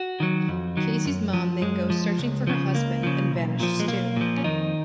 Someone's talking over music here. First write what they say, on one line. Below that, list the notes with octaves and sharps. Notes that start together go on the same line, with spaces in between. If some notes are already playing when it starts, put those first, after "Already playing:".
Casey's mom then goes searching for her husband and vanishes, too.
Already playing: F#4
D#3 F#3
F2
D#3 F#3
F#2
F3
F#2 G#3
F3
C#2
C#3 F3
C#2 A#3
C#3 F3
B1
A#2 F3
G#3
B1 A#3
A#2 F3
C#4
F2 D#3 D#4